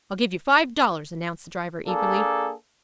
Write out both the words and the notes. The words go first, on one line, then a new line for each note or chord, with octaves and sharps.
"I'll give you five dollars," announced the driver eagerly.
A#3 D4 G#4 A4